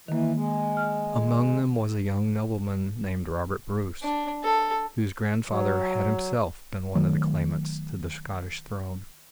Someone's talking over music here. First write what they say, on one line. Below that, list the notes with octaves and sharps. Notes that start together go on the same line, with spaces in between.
Among them was a young nobleman named Robert Bruce, whose grandfather had himself been one of the claimants to the Scottish throne.
D#3 E3 A#3
G#3
F6
D4
A4
F#3
D#3 F#3 A3